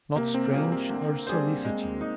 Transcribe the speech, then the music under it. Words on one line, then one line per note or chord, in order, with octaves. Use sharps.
Not strange her solicitude.
C3 A#3
C4
G3 A#3 C4 F4 G#4
C4
D3
G3 D4 G#4 C5
G#3
D#4